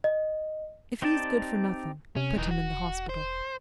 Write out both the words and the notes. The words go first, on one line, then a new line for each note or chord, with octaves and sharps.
If he is good for nothing, put him in the hospital.
D#5
C4 D#4 G4 D5 A5
C3 C#4
E1 E3 D#4
F#4
C5